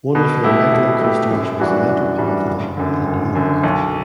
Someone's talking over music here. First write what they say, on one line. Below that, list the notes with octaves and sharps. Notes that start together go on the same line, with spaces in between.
One of their regular customers was the Metropolitan Opera in New York.
B2
A3 E4 G4
B2
A3 E4 G4
F#2
E3 G3 D4 F#4
F#2
E3 G3 D4 F#4
F#1
F#2 D3
F#1
F#2 D3
B1